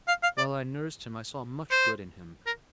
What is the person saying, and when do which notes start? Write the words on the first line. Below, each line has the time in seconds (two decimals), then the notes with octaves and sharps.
While I nursed him I saw much good in him.
0.08 F5
0.23 F5
0.38 D5
1.71 C5
2.46 A#4